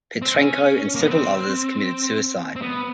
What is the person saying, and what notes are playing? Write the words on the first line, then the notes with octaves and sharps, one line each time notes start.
Petrenko and several others committed suicide.
C4
C#4
A#3
B3
C4
C4
B3